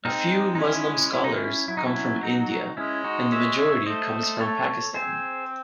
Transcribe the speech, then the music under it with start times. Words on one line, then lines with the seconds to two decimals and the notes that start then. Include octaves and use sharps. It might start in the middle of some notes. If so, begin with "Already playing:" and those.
A few Muslim scholars come from India, and the majority comes from Pakistan.
0.05 G#3 C4 D#4
0.55 D#4
0.59 C#4 E4
1.13 E4
1.24 D#4
1.34 C#4 E4
1.68 F#3 E4
1.77 D#4
1.86 C#4 E4
2.22 D#4 F#4
2.77 G#3 C#4 E4
3.04 D#4 F#4
3.32 C#5 E5
3.58 C#5 E5
3.86 A3 C5 D#5
4.40 A4 C#5
4.94 C4 G#4 C5